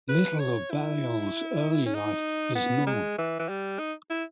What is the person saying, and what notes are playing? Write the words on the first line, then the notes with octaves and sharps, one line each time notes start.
Little of Balliol's early life is known.
B4
C#5
E4
C#4
D#4
B3
G#3
E3
E3
G3
D#4
E4